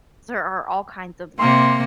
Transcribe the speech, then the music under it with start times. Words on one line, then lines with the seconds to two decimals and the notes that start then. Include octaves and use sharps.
There are all kinds of, like,
1.39 C3 A#3 C6